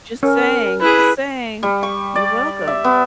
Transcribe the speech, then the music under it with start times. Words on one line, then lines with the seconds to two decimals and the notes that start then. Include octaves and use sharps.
Just saying, just saying. You're welcome.
0.23 C#4 A#4
0.81 E4 G#4 B4
1.63 G3
1.83 C#6
2.16 D5
2.67 E5
2.84 B3